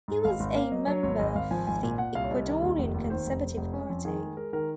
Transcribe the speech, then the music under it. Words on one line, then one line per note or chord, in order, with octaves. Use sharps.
He was a member of the Ecuadorian Conservative Party.
G#2
G#1 F5
G#1
A#3 F5
F#3 D#5
F#3 C#5
G#1 C#5
G#1 D#5
G#1 F5
F3 G#5
G#1 G#5
A#2 G#5
A#2 F#5
C2 F5
C#5
C2 D#5
D#3
D#2
F1
D#2
D#3 C5
F1
F1
F1
C#4
F2
D#3 G#4
G#3
G#3 A#4
D#3 A#4